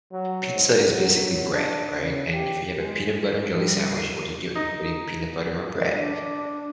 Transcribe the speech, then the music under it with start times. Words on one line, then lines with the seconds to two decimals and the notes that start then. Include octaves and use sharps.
pizza is basically bread, right? And if you have a peanut butter and jelly sandwich, what are you doing? You're putting peanut butter on bread,
0.12 F#3
0.54 G#2
0.87 F#3
1.51 D4
1.97 C#3
2.33 G4
2.80 G#3
3.54 F3 G3
3.91 C7 D#7
4.55 D#4
5.94 D4